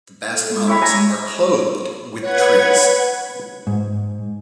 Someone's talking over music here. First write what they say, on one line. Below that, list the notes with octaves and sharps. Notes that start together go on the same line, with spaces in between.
The Basque mountains are clothed with trees.
A4
G#3
E4 C#5 B5
G#5 A#5
B4 C#5 F#5 G#6
G#2